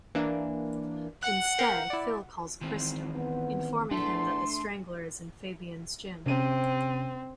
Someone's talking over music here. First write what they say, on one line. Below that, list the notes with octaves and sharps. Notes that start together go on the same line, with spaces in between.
Instead, Phil calls Kristo, informing him that The Strangler is in Fabian's gym.
E3 A#3 D4
F#5 F#6 C#7
A#4 F5 G5
E4 D5
D#3 E3 C4
B3
E2 A3 D4 A4 C6
C3 C4 C#4 D#7